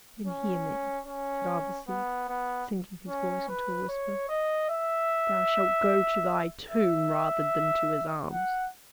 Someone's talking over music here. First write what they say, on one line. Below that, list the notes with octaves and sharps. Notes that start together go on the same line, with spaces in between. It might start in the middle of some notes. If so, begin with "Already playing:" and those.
'Then hear me,' said Arbaces, sinking his voice into a whisper; 'thou shalt go to thy tomb rather than to his arms!
C#4
C#4
B3
B3
C#4
B4
C#5
D#5
E5
E5
F#5